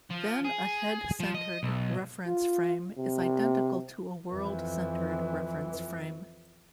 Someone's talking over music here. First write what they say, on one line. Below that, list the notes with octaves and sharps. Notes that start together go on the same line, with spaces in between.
Then a head centered reference frame is identical to a world centered reference frame.
F3
G#4
F3
D#5
B1
F4
C3
F2 E3